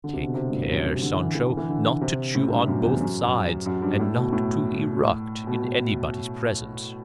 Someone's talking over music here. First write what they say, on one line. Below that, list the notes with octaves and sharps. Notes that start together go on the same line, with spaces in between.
"Take care, Sancho, not to chew on both sides, and not to eruct in anybody's presence."
D3
C3
B2
C3
G2
A2
F#2
C3
D3
E3
D3
E3
D3
E3
D3
C3
A2
G2
F#2
E2
F#2
F#2
F#2
G2
A2
B2
A2
B2